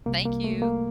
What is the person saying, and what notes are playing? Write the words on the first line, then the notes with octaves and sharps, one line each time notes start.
Thank you.
C2 C3 G3 A#3
A#3
A3
A#3